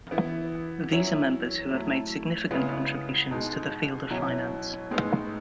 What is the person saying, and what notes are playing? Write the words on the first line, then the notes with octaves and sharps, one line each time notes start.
These are members who have made significant contributions to the field of finance.
E3 B3 E4
F#3 C#4 E4
F#3 A3 E4
C#3 G#3 B3 E4
B2 G#3 D#4
B2 F#3 C#4 E4
A2 G#3 B3 D#4